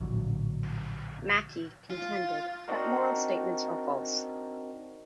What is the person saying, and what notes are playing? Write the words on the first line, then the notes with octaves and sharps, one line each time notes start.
Mackie contended that moral statements are false.
A#1 A2 D3 F#3
F4
C4 D4 D#4 F#4 A#4